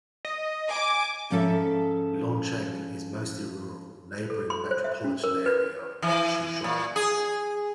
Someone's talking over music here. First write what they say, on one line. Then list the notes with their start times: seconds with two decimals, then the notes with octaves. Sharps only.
Luancheng is mostly rural, neighbouring the metropolitan area of Shijiazhuang.
0.25 D#5
0.71 G#5 D6
1.30 G#2 F3 C#4 A4 E5
4.30 A4
4.50 C6
4.71 C5
4.84 E5
5.04 C#4
5.24 A#4
5.46 B4
6.02 E3
6.64 A#2
6.96 G#4